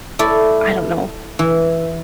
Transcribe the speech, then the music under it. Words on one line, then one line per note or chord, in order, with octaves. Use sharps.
I don't know
A3 E4 D5
E3